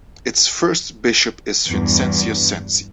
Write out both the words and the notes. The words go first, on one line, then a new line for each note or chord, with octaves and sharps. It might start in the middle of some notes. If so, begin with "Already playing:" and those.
Its first bishop is Vincentius Sensi.
E2 G2